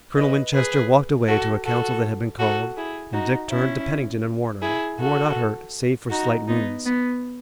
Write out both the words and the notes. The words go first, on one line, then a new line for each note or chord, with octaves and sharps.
Colonel Winchester walked away to a council that had been called, and Dick turned to Pennington and Warner, who were not hurt, save for slight wounds.
B4 D#5
G#4 B4
F#4 A4
F#4 A4
F#4 A4
E4 G#4
D#4 F#4
C#4 E4
E4 G#4
F#4 A4
D#4 F#4
B3 D#4
B3